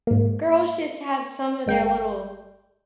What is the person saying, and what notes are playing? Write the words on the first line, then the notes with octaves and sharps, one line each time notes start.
girls just have some of their little
G#2 A#3
G1 G#3 G5